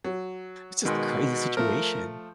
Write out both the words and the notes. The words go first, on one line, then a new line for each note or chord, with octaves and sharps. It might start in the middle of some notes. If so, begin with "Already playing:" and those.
it's just a crazy situation.
F#3
B2 D#3 G#3
F3 A3 A#4